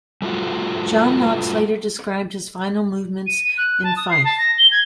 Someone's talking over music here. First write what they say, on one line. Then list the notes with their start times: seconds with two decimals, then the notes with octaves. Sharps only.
John Knox later described his final movements in Fife.
0.22 G3 A3 F4 F#4
3.26 D#7
3.43 D#7
3.57 F#6
3.83 A5
3.96 D#6
4.10 C7
4.24 A5
4.38 A#6
4.58 G7
4.71 G#6